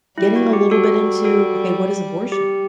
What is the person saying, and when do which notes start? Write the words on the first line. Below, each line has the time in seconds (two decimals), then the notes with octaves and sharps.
getting a little bit into, "Okay, what is abortion?"
0.18 G3 E4
0.36 F#4
0.53 G4
0.71 G3 F#4 A4
1.24 F#4 A4
2.32 G4